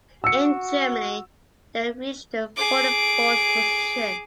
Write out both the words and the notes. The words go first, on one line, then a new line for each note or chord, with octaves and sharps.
In Germany they reached the forty-fourth position.
F#4 E6 C#7
G#4 D6